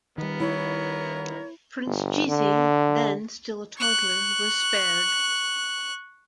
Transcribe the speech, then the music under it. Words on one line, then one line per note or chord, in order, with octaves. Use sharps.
Prince Jizi, then still a toddler, was spared.
D#3 G3 B3 A#4
E4 C#5
G1
D3
C#6 F#6